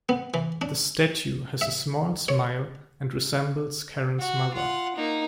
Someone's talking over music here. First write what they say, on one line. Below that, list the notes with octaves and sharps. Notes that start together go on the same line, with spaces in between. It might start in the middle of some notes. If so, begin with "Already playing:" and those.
The statue has a small smile, and resembles Karin's mother.
B3
E3
D4
E5
C#5
F#4
F4 F#5
A#3 D#4